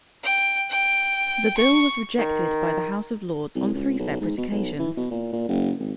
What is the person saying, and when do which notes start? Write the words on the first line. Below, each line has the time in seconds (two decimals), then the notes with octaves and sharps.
The bill was rejected by the House of Lords on three separate occasions.
0.23 G5
0.71 G5
1.57 C#6
2.18 D#3
3.55 C2
3.74 C#2
3.99 B1
4.21 G#2
4.38 B2
4.52 B1
4.79 E3
4.97 B2
5.11 A#2
5.33 A#2
5.48 F#1
5.80 G#1